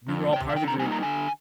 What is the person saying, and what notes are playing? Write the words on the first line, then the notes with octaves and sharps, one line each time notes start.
we were all part of the group,
F2
G3 G5
C3
F5
D3 G5
A#5
G3 A#3 D#4 G#5
A#5
D3 G#5